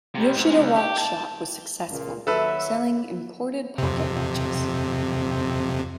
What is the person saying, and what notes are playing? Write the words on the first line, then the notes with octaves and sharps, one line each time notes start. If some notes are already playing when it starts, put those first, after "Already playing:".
Yoshida Watch Shop was successful, selling imported pocketwatches.
C3 G3
G#2
C3 G#3
C#2
G4
A5
C#2 A#2
D#2 F#3 A4 B4 E5 E6
F2 C3